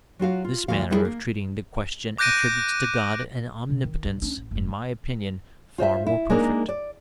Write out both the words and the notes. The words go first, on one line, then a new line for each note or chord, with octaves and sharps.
This manner of treating the question attributes to God an omnipotence, in my opinion, far more perfect.
F#3 F4 F#4 F5
F4
D2 A2 F3 F#4 F5
G3 B3 E4 F#4 G#4 A4
A#3
D6 F#6 G6 A#6 D7 D#7
C3
D#3
G2
C#4 D4
A1
F1 G#2
F4 C5 D#5 E5
E4
G#3 A#3 D4 D#4 A#4
D5